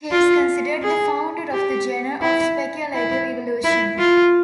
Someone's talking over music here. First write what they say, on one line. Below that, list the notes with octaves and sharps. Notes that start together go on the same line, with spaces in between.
He is considered the founder of the genre of speculative evolution.
F4
G#4
G4
E4
E4
E4
F4